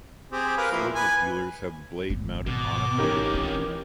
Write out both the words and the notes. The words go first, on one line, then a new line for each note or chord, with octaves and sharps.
Swivel peelers have the blade mounted on a pivot.
C4 G4 G#4
A#4 B4 F5
F3 A#3 E4
B4 G#5
G#1 B3
G#1 B2 D6
E3 C#4 D#4 G4 A#4
C4 F4